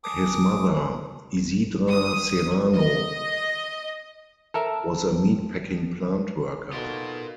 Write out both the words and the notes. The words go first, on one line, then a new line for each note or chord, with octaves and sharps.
His mother Isidra Serrano was a meatpacking plant worker.
G#5 A5 D6 D#6
D#6
D#5
C4 A4 A#4 E5 A5
B2 D#4 F4 F#4 A4 A#4